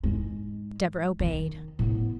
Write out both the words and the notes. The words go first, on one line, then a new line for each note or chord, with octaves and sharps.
Deborah obeyed.
G#2 G#3
D#3
A2 B3